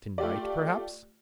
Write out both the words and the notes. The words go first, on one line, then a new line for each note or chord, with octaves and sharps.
Tonight perhaps.
A3 F4 G4 D5